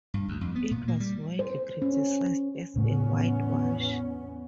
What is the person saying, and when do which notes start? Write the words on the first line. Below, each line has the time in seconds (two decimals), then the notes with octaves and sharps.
It was widely criticised as a whitewash.
0.14 G2
0.28 D2
0.41 F2
0.55 B3
0.71 A#2
0.88 A#3
1.00 G3
1.39 C5
1.82 C#4
2.76 E2 A2 C#3 B3 C#4